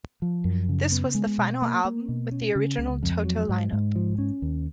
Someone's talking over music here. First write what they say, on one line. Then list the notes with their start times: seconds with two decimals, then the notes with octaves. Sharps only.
This was the final album with the original Toto lineup.
0.22 F3
0.44 F#2
0.69 C#3
0.92 B3
1.15 G#3
1.38 B2
1.62 A#3
1.85 A#3
2.09 B2
2.32 C#4
2.55 C#3
2.78 C#2
3.03 F2
3.25 F#3
3.49 G#2
3.73 G#2
3.95 F3
4.18 C#4
4.42 D#2